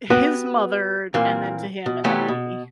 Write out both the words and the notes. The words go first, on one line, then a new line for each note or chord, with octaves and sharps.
His mother, and then to him and then to me.
B3 F#4 G4 B4
A#2 E3 A#3 C4
B2
C3 E3 F#3 G3 A3 B3
B2